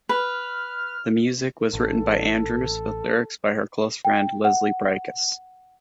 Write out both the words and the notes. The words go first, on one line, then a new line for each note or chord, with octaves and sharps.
The music was written by Andrews with lyrics by her close friend Leslie Bricusse.
B4 F6
A1 A4
G5
F#5